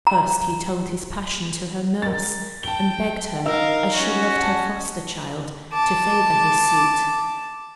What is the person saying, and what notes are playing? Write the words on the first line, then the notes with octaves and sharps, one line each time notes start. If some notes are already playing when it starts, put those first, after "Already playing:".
First he told his passion to her nurse, and begged her as she loved her foster-child to favor his suit.
A#5
A#4 A6
G5 A5 G7
D#4 A#4 F5 E6
C#4 F#4
F#5 A5
A5 D6